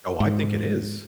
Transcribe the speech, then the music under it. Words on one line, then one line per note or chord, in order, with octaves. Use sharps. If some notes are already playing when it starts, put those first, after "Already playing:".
Oh, I think it is.
G#2